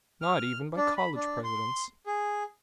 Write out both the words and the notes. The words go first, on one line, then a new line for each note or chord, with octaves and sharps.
Not even by college presidents.
F6
D4
B5
D4
C6
G#4